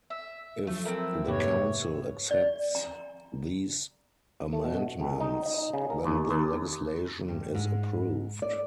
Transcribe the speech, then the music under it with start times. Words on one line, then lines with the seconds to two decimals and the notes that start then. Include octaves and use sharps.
If the Council accepts these amendments then the legislation is approved.
0.10 E5
0.67 F3 F#3 A3
0.85 C4 E4 A4 A#4
1.27 F2 G#2 C3 A#3 G4 B4 C#5
2.31 D5
2.75 A#5
4.53 A3
4.65 B2
5.00 C#2
5.20 D#4
5.46 D#5
5.58 D#4
5.73 C#3
5.90 A#4
6.04 D#2
6.29 D#2
7.28 G2
7.55 G#2
8.42 D5